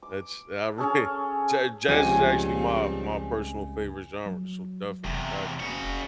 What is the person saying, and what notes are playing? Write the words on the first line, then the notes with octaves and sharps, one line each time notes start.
that's outra Ja jazz is actually my my personal favorite genre, so definitely that
D6
C#4 G#4 A4
C#2 G2 F3 C4 G#5 G6 G#6 D#7
F#3
F1 E2 C3
C#3 F#4